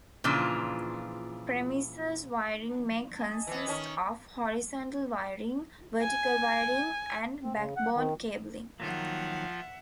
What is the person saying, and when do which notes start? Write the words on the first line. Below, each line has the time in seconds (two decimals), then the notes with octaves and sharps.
Premises wiring may consist of horizontal wiring, vertical wiring, and backbone cabling.
0.24 A#2 C#3 E3 F3 D4 F4
3.20 D#5 G#5 A5
3.47 E3 B3
3.68 D#3 C#4
6.01 G#5
7.44 C4
7.56 C#3
7.77 F#5
7.95 D#3
8.80 D#3 F3 F#3 A#3 F4 E5 F#5